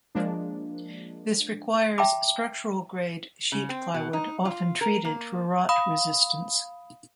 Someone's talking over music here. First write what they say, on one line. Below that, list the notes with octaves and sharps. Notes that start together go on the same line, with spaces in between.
This requires structural grade sheet plywood, often treated for rot resistance.
F3 G#3 A#3 D4
E5 G5 A5 B5 D6
C#3
C4
B2
D#4
F4
A#4
A#3
F5 B5 D#6